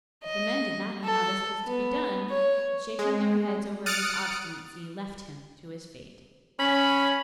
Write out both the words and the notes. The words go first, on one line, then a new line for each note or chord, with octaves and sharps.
But the men did not know how this was to be done, and, shaking their heads over his obstinacy, left him to his fate.
D#5
A4
B3
C#5
G#3
D#6 F6 F#6 A6 C#7 D7
C#4 B5